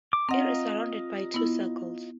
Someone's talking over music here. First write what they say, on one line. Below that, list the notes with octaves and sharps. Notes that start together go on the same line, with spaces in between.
It is surrounded by two circles.
D6
C4 F4 D#5 F#5 A#5
B3 E4